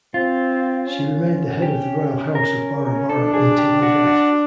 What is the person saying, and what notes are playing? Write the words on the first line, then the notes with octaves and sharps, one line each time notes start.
She remained the head of the royal house of Bora Bora until her death.
C4 F4
C#4
G4
A#4
D4 A4
G#4
G4
F#4
F#4